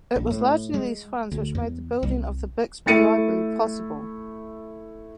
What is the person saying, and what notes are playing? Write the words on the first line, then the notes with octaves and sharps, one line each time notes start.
It was largely these funds which made the building of the Bixby Library possible.
A#1
A2
G#3
D2
E2
C2
A3 E4 A6 C#7 D#7